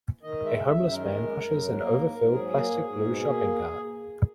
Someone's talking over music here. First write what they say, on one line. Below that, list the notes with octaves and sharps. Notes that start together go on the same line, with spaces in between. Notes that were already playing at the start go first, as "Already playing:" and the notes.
A homeless man pushes an overfilled plastic blue shopping cart.
D#3 D#5
G#3
E5
F#2
E5
F#2
D#3 A#4
G#3
F#2
F#2
F#3
A#3
G#2
G#2
F#3 G#4
A#3
G#2
G#2
B2
A#3